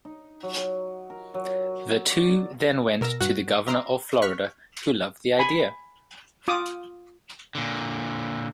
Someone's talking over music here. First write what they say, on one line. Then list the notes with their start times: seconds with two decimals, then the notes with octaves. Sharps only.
The two then went to the Governor of Florida, who loved the idea.
0.05 D#4
0.43 F#3
1.10 A#4
1.34 F#3
2.11 D5
3.01 B2 A#4 E6 A#6
3.20 G2 F#4 F#6
3.67 E5 A#5 C6 D6
4.22 C#6 F6 F#6 B6
5.39 G#5 B5
6.48 F4 D6 D#6
7.55 A#2 D3